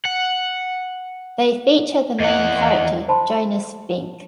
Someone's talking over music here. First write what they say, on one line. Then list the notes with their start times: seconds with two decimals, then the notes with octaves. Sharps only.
They feature the main character Jonas Fink.
0.05 F#5
2.20 E2 D#5 F#5
3.08 C5 A5 B5 C6